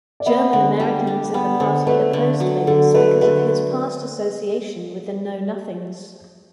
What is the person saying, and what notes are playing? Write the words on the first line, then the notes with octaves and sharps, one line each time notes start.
German-Americans in the party opposed Bates because of his past association with the Know-Nothings.
D5
B3 E5
D3 F#5
G3 A5
D4
B3 G5
D3 C5
A3 B4
D3
F#3
D3 A4
A3 B4
D3 B4